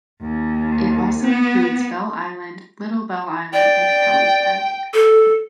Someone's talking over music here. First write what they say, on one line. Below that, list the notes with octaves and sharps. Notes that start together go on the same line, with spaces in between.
It also includes Bell Island, Little Bell Island and Kelly's Island.
D#2
B3
D5 G5
A4